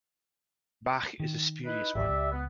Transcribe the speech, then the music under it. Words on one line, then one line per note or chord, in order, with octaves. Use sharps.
Bach is a spurious one.
D#3
D#4 E4 B4
G#1 C#2 G4 D5 E5
C#2
B3